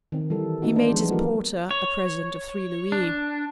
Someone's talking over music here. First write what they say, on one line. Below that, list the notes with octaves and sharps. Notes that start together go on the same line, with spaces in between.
He made his porter a present of three louis.
D#3 C4
E3 G3 A4
A3 B3 D#4 F#4
D4 C5 D5
F3 G#3 B3
E3 G3 A#3 F#4 A4 A#4
C#5
D4